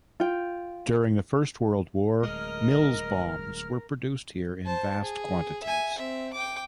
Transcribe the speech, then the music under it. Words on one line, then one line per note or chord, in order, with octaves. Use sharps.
During the First World War Mills Bombs were produced here in vast quantities.
F4 G5
D1 G#3 A#4 D#5 F6
C5 A5
G#4
E5 G#5
C4 E5
G5 D6